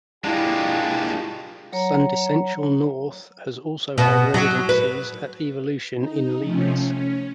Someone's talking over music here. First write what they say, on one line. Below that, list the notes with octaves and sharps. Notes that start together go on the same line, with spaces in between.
Sundissential North has also held residencies at Evolution in Leeds.
G#3 A#3 D4 E4 F4 G4 D5 G5
F#3 C#5 A#5
B2
F#3
B4
D#4
C3 F3 A3 C#4
C#4